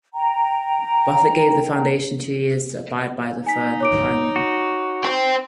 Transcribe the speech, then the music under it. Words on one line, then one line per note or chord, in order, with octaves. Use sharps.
Buffett gave the foundation two years to abide by the third requirement.
G5 A#5
D#4 G#5 B6
C#5 D6 D7
F#4
C5 G5